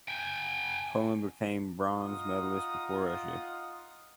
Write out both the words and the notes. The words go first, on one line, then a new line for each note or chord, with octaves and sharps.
Poland became bronze medalist before Russia.
G5 G#5
D#4 F4 F#5 A#5 D#6